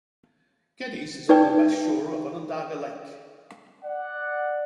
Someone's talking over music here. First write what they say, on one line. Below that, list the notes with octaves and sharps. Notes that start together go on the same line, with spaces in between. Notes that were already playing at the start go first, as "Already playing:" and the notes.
Geddes is on the west shore of Onondaga Lake.
D#4 B4 D5 G5
D5 F#5